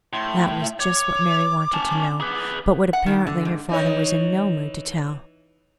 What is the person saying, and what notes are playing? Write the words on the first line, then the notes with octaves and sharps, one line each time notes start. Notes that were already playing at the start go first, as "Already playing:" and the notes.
That was just what Mary wanted to know; but what apparently her father was in no mood to tell.
A2 C6
E5
C#5 D6
C#4 A5
G#4 B4
F#5
D#3
D3
G#2
E3 D#4 C#5